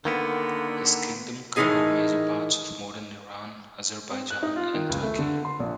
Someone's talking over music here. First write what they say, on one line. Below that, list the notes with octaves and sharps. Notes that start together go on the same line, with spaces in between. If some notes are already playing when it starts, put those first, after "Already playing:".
His Kingdom covered major parts of modern Iran, Azerbaijan, and Turkey.
D3 D#3 A#3 B3
A2 D#3 E3 D#4 G#4 G#5
C4
F#6
D#4
F4
D#3
C#2
A3
D3
C6
A#1